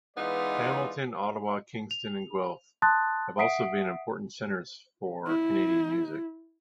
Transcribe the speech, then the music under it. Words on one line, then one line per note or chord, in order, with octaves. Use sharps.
Hamilton, Ottawa, Kingston and Guelph have also been important centres for Canadian music.
E3 G#3 B3 D#4 F4 D5
F7
A5 C6 D#6 F#6 A6
E5 F#5 D#6 B6 C7 D7
E4